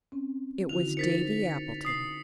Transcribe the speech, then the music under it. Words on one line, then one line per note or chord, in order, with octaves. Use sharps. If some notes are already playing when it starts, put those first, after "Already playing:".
It was Davy Appleton.
C4 C#4
D3 E4 F#4 F7
D#4 A#4 C5 A6 B6 C#7
D#6 C7